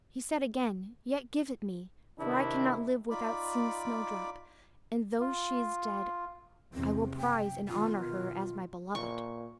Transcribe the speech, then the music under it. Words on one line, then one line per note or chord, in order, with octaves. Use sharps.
He said again, "Yet give it me; for I cannot live without seeing Snowdrop, and though she is dead, I will prize and honour her as my beloved."
C3 D#3 D4 E4
D#4 F4 D5 B5 D6
F4
E2 C3 C4
F#1 G5
B2 D#3 F4
A#2 C#6